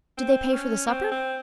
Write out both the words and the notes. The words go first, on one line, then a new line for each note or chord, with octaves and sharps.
"Did they pay for the supper?"
C4
C#4
C4
C4